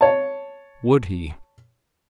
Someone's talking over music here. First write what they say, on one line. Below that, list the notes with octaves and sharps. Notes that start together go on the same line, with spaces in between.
Would he!
C#5 A5